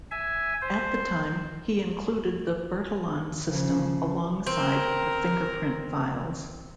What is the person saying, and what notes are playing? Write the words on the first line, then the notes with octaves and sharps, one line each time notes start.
At the time, he included the Bertillon system alongside the fingerprint files.
E5 G#5
C5
C#3 F3
C4 A#4